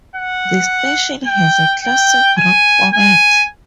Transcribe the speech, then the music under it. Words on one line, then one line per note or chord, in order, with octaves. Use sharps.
The station has a classic rock format.
F#5
G5
G5
G#5
G#5